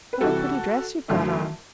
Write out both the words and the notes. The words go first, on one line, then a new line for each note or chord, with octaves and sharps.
"What a pretty dress you've got on!"
B4
C3 E3 G3 F#4 A4
F#2 D3 A3 E4